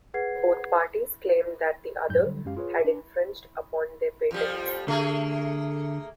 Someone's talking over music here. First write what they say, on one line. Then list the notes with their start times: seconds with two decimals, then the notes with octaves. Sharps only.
Both parties claimed that the other had infringed upon their patents.
0.14 G#4 B4 F#5 G#6 C7
2.09 F2 G#2 F#3 G6
2.22 D3 F#3 G3
2.45 F#2 G#3 C#4 G4 F5
2.57 F4 G#4 B4 C#5
2.85 D4
4.31 F2 F3 G3
4.88 D3 A3 A#3 G#4